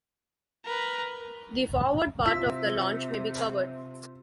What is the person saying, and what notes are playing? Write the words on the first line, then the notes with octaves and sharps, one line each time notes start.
The forward part of the launch may be covered.
A#4 B4
C3 F4 E6 B6